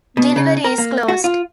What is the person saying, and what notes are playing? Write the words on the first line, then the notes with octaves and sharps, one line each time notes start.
Delivery is closed.
B2
C#3
A#4
A#3
F#4
F4